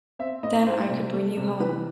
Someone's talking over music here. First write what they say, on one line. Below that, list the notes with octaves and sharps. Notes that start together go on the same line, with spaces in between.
Then I could bring you home.
C4 E5
A2 D#5
A3 C5
C3
A3
C3
E3 B4